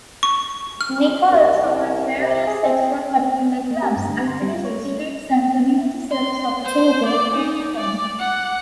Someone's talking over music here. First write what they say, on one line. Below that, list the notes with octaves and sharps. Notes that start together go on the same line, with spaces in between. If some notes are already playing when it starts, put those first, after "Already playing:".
Nichols offers various extracurricular clubs, activities, trips and community service opportunities to students.
C#6
F6
D#2
C2
C3
G#4
C4
A#3
G4
G2
D3
C6
G3
F4
C#5
C#4
C6
C5
D5
D#4
D5
F#5